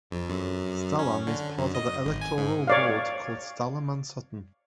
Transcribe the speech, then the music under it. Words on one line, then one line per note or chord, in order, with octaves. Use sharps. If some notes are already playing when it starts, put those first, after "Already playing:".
Stalham is part of the electoral ward called Stalham and Sutton.
F2
F#2
C#4
D3
F#2
D#5
G#1
G#5
G#2
C#5 D5 F5